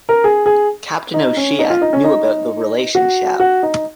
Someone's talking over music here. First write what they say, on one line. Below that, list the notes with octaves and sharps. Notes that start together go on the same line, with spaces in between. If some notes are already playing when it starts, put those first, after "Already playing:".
Captain O'Shea knew about the relationship.
A#4
G#4
G#4
D#4
C#4
D#4
F4
D#4
C#4
D#4
F#4
F#4
D#4